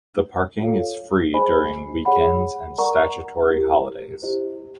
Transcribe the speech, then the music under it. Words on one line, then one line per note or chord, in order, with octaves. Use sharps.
The parking is free during weekends and statutory holidays.
F4 A4 C#5 F5
G#4 C5 D#5 G#5 B5
G#4 C#5 F#5 B5
A#4 D5 F#5 A#5 C#6
E4 G4 A#4
E4 G4 C5 D#5